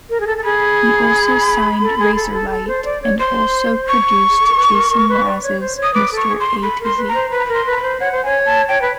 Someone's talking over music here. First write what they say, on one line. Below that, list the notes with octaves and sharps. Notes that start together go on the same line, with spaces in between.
He also signed Razorlight, and also produced Jason Mraz's "Mr. A-Z".
A#4
G#4
A4
A4
G#4 B5
A4
G#4
A4
A4
A4
C5
D5
C#5
C5 C6
C#6
G#4
A4
A#4
B4
A4
A#4
A#4
B4
D5
C#5
C5
C#5
D#6
B4 D6
A4
C#6
G#4
C6
A4 B5
A#4
C6
B4
A#5
C5
B4 B5
A#5
B5
A#4
C6
B4
A#5
B5
C5
C#5 F#5
C5
C#5 G#5
A5
C#5 G5
B4